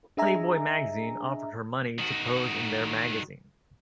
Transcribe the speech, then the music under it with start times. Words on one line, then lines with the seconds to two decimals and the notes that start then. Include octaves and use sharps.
Playboy Magazine offered her money to pose in their magazine.
0.17 D4 G#4 D#5 E5 G#5 A#5
1.99 D#3 F#4